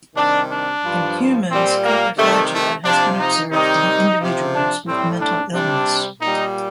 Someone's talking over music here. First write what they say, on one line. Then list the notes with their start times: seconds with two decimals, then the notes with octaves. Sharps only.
In humans, coprophagia has been observed in individuals with mental illness.
0.16 C3 D#3 G3 D4
0.49 D4
0.83 G2 F3
1.51 A#2 G3 C4
1.85 A#3
2.17 C3 D#3 G3 A3
2.52 A3
2.85 C3 F3 D4
3.19 D#4
3.52 C3 D#3 G3 D#4
4.19 C3 F3
4.52 D4
4.86 A2 G3 C4
5.20 D4
5.53 C3 G3 D4
6.20 A#2 G3 D#4